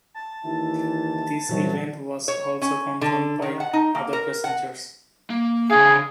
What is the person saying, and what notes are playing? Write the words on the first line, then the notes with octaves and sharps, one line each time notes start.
This event was also confirmed by other passengers.
A5
D#2 E3 E4
C2 A#2 E3 F#3 G3
C#5
C#4
D3
D#3
F#5
D#4
A#3
A#4
F#5
A#3
C#3 D4 G#4 F5